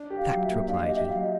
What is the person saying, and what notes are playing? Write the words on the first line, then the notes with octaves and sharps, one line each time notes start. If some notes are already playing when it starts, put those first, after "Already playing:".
"Fact!" replied he.
Already playing: D4
G4
F5
F#3
E5
A#3
D4 F5
D#5
G4
E5
F#3 F5
D#5